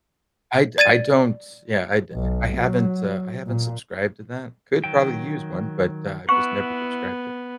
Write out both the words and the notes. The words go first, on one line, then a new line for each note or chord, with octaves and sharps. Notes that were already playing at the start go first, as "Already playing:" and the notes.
I d I don't Yeah, I d eh, I haven't, uh I haven't subscribed to that. Could probably use one, but I just never subscribed to it.
D5 G#6 A6 D#7
B1
F#3
A#2
D#3 F#3 G5
B3 E4 F#5 C#6